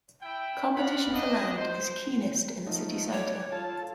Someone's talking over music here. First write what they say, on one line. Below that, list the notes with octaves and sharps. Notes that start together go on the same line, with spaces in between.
Competition for land is keenest in the city centre.
E4 G5
D5 F5 F#5 B5
D4 D#5
C5
F3 A3 D#4
C#5 D5
F4 A4 A5